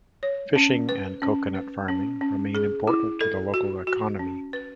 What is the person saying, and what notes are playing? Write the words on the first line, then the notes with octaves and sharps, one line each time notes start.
Fishing and coconut farming remain important to the local economy.
C#5
C#4
B4
C#4
B4
C#4
C#4
G#4
E4
A4
F#4
F#4
C#4
B4